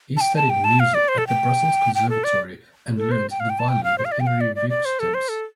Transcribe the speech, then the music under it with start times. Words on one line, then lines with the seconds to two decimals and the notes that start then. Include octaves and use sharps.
He studied music at the Brussels Conservatoire and learnt the violin with Henri Vieuxtemps.
0.17 A5
0.21 G5
0.36 A5
0.50 G5
0.64 A5
0.80 F5
0.94 D5
1.08 C5
1.18 A4
1.27 G5
1.95 G5
2.10 A4
2.24 D5
2.97 A4
3.11 C5
3.31 G5
3.40 F5
3.50 G5
3.59 A5
3.69 G5
3.84 F5
3.98 C5
4.05 F5
4.12 D5
4.20 G5
4.27 F5
4.41 D5
4.56 D5
4.70 D5
4.85 C5
4.99 A4
5.14 C5
5.29 A4